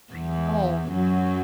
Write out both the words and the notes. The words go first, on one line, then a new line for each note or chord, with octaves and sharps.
I know.
E2 E3
F#2 F#3